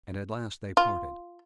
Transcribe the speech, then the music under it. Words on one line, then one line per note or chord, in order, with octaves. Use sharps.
And at last they parted.
F4